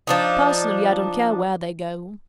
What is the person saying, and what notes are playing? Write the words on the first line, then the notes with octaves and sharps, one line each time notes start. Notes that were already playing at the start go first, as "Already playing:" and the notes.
Personally, I don't care where they go.
F3 D4 D#4